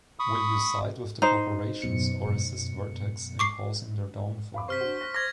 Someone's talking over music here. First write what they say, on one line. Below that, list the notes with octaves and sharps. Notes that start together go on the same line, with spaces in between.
Will you side with the Corporations, or assist Vertex in causing their downfall?
B5 C#6 D#6
D#4 C5 A#5
F#2 B2 C#7
C#6 D6 C7
F5 B5 D6
C3 C5 C#6 F6 B6
D4 F#4
F#6 A#6
D6 G#6 A#6